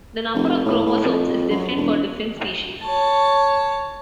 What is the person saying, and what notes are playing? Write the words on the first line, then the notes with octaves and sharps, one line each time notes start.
The number of chromosomes is different for different species.
F1
A2
A2
F2
F#2
E1
C#5 A5